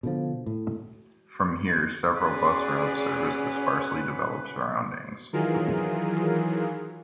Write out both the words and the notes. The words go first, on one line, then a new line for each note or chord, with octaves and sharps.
From here, several bus routes service the sparsely developed surroundings.
B2 D3 F3
A2
C#4 F#4 G#4 B4 D5
D#3 E3 F#3 F4 G#4 A#4